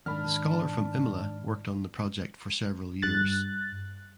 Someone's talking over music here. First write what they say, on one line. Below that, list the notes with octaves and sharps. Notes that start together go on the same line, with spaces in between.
The scholar from Imola worked on the project for several years.
F2 G#2 D#3 D4 A5 B5 F6
G2 F#6 A6